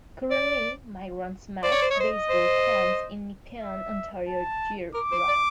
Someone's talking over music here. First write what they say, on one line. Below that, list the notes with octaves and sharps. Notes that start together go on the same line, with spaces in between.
Currently, Mike runs "Mike's Baseball Camps" in Nepean, Ontario year round.
D5
C5 D5
C#5
C5
C#5
C5 D#5
C5
E5
A5
A#4 D6
C5
D5